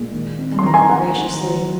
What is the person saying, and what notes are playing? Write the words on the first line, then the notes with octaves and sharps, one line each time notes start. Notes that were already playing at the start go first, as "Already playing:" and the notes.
Emma looked graciously.
Already playing: A#2 G#3
D#3
C4
C6
D#3 A#5
G#5 C6
D#3 F#5 A#5
D#3
F#3